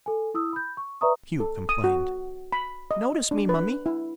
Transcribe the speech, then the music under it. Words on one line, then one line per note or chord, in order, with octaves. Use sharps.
Hugh complained, "Notice me, mummy!"
A4 G#5
E4 D#6 E6
B5 G6
C#6
B4 D5 E5 A#5 C#6 D#6
A4
D#6
F#4
B5
D#5
D4
B4
E4